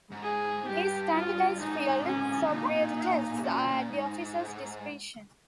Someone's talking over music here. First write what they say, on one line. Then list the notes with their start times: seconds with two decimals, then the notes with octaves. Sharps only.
These "standardized field sobriety tests" are at the officer's discretion.
0.11 G#2
0.23 G#4
0.68 G2 G4
1.14 F4
1.60 G#2 D#4
2.06 C#4
2.46 C3
2.51 A#2 D#4
3.44 A#2 C#4
3.67 A#2
3.90 G#2 D#4